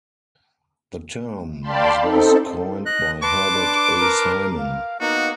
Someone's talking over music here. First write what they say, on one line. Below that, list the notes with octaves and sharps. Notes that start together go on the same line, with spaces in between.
The term is was coined by Herbert A. Simon.
D5 F5 G5 A5 B5 C6
C4 D#4 A4
D#5 F#6
B4 A5 C6 D6
D4
A#4
F5
A#3 B3 D#4 F#4